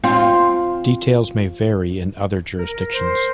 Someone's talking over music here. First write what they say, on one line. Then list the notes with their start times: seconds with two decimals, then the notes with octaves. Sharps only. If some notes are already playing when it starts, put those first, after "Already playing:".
Details may vary in other jurisdictions.
0.04 C4 F4
2.59 A#4
2.92 C5